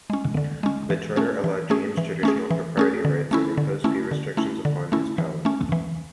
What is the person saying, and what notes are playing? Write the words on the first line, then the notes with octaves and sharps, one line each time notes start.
The charter allowed James traditional propriety rights and imposed few restrictions upon his powers.
G#3 C#4
D3
G#3 C#4
E3
A3 C#4 G#4
E3
A3 C#4 G#4
E3
A3 C#4 G#4
E3
A3 C#4 G#4
D3
A3 C#4 E4
D3
A3 C#4 E4
D3
A3 C#4 E4
D3
A3 C#4 E4
E3
A3 C#4
E3